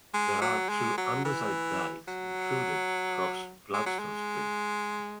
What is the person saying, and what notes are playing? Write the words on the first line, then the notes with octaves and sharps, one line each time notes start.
There are two andesite dykes intruded across Gladstone Street.
G#3
F#3
G#3
F#3
E3
F#3
G#3
F#3
G#3